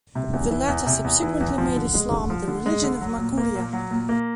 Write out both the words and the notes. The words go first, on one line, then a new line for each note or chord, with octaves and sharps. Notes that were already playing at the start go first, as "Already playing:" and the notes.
The latter subsequently made Islam the religion of Makuria.
C3
E2
E3
E2
C3
E2
E3
E2
F3
D3
G#3
D3
F3
D3
G#3
D3
F#3
A#2
A#3
A#2
F#3
A#2
A#3